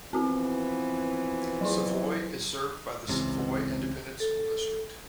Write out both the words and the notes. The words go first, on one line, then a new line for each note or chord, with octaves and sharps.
Savoy is served by the Savoy Independent School District.
E3 F3 B3 C4 F#4
F#3 E4
G#1 C#2 C3 E3
A4